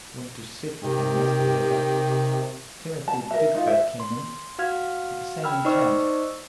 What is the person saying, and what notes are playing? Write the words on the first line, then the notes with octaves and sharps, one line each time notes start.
I went to sit with him yesterday, but Timothy Digfort came in, with the same intent.
C3 D#3 G4 G5
A5
A#4 E5
D#4 F4
E5
C6
F#4 F5 F6 G#6
G5 B5 E6 F6
D#4 C5 D5 D#5 C#6 E6